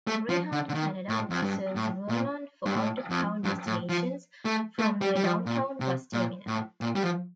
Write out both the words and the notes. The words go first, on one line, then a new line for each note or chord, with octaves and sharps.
Greyhound Canada also serves Vernon for out-of-town destinations from their downtown bus terminal.
A3
F3
D3
D3
D#3
A2
F2
G2
A2
A#2
G2
A2
F2
G2
A2
F3
A3
A3
G3
G3
F3
A#2
C3
A#2
A2
A#2
G3
F3